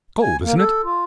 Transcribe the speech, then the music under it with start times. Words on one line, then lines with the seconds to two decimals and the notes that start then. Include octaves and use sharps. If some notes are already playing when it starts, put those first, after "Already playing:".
"Cold, isn't it?"
0.22 G#5
0.44 A#3
0.57 A4
0.84 F4